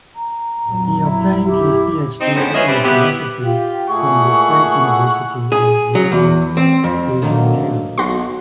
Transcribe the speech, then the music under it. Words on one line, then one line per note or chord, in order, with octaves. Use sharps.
He obtained his PhD in Philosophy from the State University of Rio de Janeiro.
A#5
A#1 F2 F#3
E4
E4 G4
C4 D#4
F2 G#2 D3 B3 C#4 C5
F4 G#4 B4 C#5 D#5 E5
G2 G3 C4 B4 C5 E5
B3 E4 G4
F4 G4
A#2 A3 E4 G#4 F#5 C#6
G#4
F#3
E2
C4
F2
D2 D#3 F#3 A#3
B1 F#4 C6